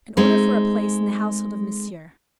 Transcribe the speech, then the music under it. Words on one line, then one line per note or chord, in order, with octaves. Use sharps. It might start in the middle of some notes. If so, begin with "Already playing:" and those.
"An order for a place in the household of Monsieur."
G#3 A3 C4 D#4